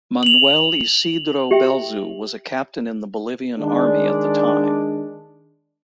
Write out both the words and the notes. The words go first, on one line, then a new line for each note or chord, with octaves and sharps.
Manuel Isidro Belzu was a captain in the Bolivian Army at the time.
F7 F#7
G4 E5 G5
D#3 G#3 D4